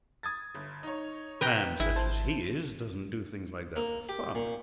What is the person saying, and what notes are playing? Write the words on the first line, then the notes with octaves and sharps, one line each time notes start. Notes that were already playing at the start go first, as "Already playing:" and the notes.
A man such as he is doesn't do things like that for fun.
D#6 G#6 A6
G1
D#4 C#5
B4 G5 A#5
G#1 E4 G#4
C5 A5
A#3
G4
A#2